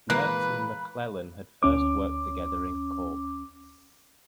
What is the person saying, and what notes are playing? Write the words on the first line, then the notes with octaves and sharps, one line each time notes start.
Merz and McLellan had first worked together in Cork.
A#2 E3 G#3 A#3 B4 B5
D2 C#4 D6